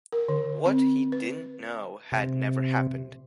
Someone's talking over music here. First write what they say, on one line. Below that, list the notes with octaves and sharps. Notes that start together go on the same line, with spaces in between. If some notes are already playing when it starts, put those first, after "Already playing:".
What he didn't know had never happened.
A#4
D3
C4
B4
C3